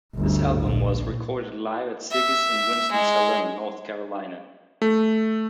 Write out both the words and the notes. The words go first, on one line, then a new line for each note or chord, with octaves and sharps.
This album was recorded live at Ziggy's in Winston-Salem, North Carolina.
G1 D2
A#1
E5
G#3
A3